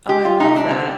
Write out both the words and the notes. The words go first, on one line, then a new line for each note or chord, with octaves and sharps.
Oh, I love that.
G4
F4
C3 G3 D#4
D4
C4